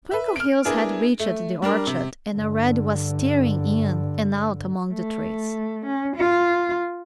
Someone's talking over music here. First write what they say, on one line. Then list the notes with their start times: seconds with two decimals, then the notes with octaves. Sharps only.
Twinkleheels had reached the orchard and already was tearing in and out among the trees.
0.11 B4 E5
0.36 F6 D7
0.65 B3 D4 E4 G#4 A#4
1.20 A3
1.62 G3 D4 A#4
1.87 C3
2.32 G2 D3
4.94 A3
5.86 C#4
6.16 F4